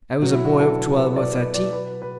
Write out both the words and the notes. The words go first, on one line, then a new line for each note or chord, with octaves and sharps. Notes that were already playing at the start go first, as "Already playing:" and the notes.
I was a boy of twelve or thirteen.
B2 F#3 B3 F#4
E4
F#4
A4
B4
D5
B4
D5
B4
B4